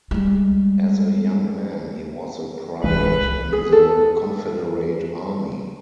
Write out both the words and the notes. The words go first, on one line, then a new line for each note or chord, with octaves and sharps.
As a young man, he was a private in the Confederate Army.
G3 G#3
D1 C2 E3 G#3 B4
G#4
A4